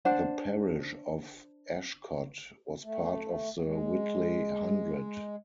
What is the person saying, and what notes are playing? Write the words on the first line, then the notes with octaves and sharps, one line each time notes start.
The parish of Ashcott was part of the Whitley Hundred.
D4 C5 F#5
A3
G#3